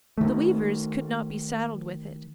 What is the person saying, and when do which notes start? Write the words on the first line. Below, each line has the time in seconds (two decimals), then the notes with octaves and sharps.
The weavers could not be saddled with it.
0.18 D#3 A3